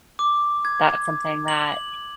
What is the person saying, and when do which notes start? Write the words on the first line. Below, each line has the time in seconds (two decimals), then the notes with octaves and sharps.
That's something that,
0.19 D6
0.65 G#6
1.48 F#7